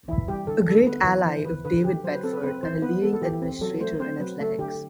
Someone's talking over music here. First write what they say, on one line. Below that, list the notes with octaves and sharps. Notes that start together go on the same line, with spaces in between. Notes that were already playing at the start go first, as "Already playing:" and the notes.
A great ally of David Bedford and a leading administrator in athletics.
E3 E4
G3 G4
D3 A4
D3 A4
B3 B4
E3 B4
E3 C5
E3 B4
D3 B4
D3 G4
F#3 C5
B4
C4 A4
B4
C4 B4
E3 C5
B3 B4
B3 A4
A4
E3 G4
C4
F#3 A4
A3 C5
C4 C5
F#3 B4
A3 A4
D3 G4